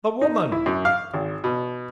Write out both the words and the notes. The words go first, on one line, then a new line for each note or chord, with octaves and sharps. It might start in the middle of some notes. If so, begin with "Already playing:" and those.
The woman!
D#4
E4
F#2
F5
G#1
B2